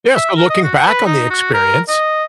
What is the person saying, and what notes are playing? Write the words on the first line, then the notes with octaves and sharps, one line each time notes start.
Yes, so looking back on the experience,
E5
A#4
D#5
F#4
F#5
B4
D#4
F#4
A#4
D#5